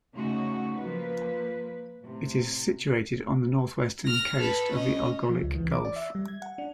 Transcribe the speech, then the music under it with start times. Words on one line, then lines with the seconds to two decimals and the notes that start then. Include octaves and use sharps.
It is situated on the northwestern coast of the Argolic Gulf.
0.14 C#3 A3 D#4 F#4
0.78 F3 A#3 B4
2.01 A2 C3
4.05 F6 A#6
4.42 A4 B4
4.72 C#4 D#5
5.30 F3
5.43 C#2
5.55 E3
5.72 D6
5.85 D5
5.96 E5
6.15 G3
6.28 G#6
6.42 F#5
6.58 D4